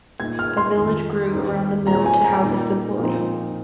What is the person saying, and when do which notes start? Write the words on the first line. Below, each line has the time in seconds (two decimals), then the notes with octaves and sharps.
A village grew around the mill to house its employees.
0.20 A#2 A#3 D#4 G#6
0.39 F6
0.57 C6
0.76 F2 D#3 G#3 D#4
1.31 D#2 D#3 C4 D#4
1.87 A#2 G#3 C4 A#5
2.06 G#5
2.24 A#5
2.43 A#2 A#3 D#4
2.99 A#2 F3 C4 D#4